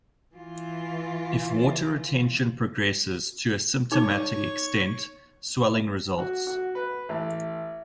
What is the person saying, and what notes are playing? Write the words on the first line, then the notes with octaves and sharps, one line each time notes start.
If water retention progresses to a symptomatic extent, swelling results.
E3 F4
D#4 C#5 C#6 D6
F#4
F#4
B4
A1